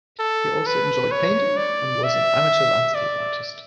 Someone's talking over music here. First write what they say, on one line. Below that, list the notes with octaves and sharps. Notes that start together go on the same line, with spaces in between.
He also enjoyed painting and was an amateur landscape artist.
A4
B4
C#5
D5
E5
D5